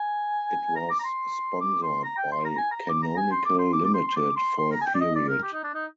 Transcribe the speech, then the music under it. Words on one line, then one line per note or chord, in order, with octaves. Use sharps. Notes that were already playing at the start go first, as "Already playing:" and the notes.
It was sponsored by Canonical Limited, for a period.
Already playing: G#5
A#5
D6
A#5
C6
D6
C6
A#5
G5
C6
A#5
G#5
A#5
D6
A#5
G#5
C6
D6
C6
D6
D6
C6
C6
D6
C6
C6
A#5
G#5
G5
D5
D#5
D5
A#4
G4
D#4
D4
D#4